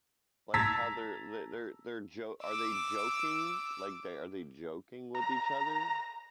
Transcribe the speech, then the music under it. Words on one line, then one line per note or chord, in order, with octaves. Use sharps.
Like, how they're the they're they're jo are they joking? Like, they are they joking with each other?
A5 A#5 E6 G#6 A6 B6
D6 E6
A#5